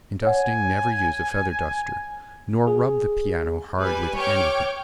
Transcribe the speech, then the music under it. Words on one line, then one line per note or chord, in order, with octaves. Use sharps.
In dusting never use a feather duster, nor rub the piano hard with anything.
C#5 F#5 G#5
G#4
G3 B4 G#5
C#5 G5 D6 F6